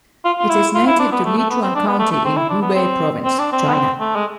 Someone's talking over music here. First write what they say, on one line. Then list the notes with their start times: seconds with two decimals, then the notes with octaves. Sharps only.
It is native to Lichuan county in Hubei province, China.
0.25 F4
0.39 F4
0.50 E4
0.75 F4
0.87 E4
0.99 D4
1.12 B3
1.25 A3
1.37 A3
1.50 B3
1.63 C4
1.75 D4
1.88 B3
1.99 A3
2.12 A3
2.25 C4
2.37 E4
2.50 D4
2.62 B3
2.75 C4
3.25 C4
3.39 D4
3.52 C4
3.69 B3
3.74 C4
4.00 A3
4.16 G#3